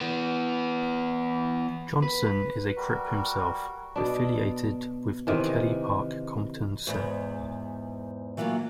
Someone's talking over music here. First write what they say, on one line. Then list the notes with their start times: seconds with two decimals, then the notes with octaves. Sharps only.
Johnson is a Crip himself, affiliated with the Kelly Park Compton set.
0.01 E3 B3
2.02 B4
2.76 G3 F#4 A#4
3.96 B2 D4
5.27 C3 D#3 E3
6.87 E2 G#2
8.37 E3 F#3 A3 A#3 F4